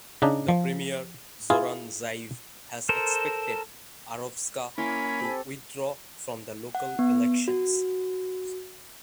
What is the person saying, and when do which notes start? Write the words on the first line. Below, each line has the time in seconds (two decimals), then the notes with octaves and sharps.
The premier Zoran Zaev has expected Arovska to withdraw from the local elections.
0.22 C#3 D4 D#4
0.48 F3
1.50 E4 F4 G#4
2.89 A4 A#4 C5
4.78 A#3 C#4 E4 G#5 B5 C6 D6
5.20 C4 G4 A4
6.75 F#5
6.99 B3
7.48 F#4